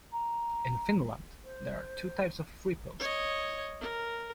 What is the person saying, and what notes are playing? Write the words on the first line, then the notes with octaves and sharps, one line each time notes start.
In Finland, there are two types of freepost.
A#5
C5
C#5 D#5
A#4